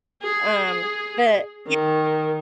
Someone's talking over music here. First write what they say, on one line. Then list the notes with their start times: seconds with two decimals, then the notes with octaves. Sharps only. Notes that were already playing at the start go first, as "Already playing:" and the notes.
Um, but, yeah.
0.23 G#4
1.67 D#3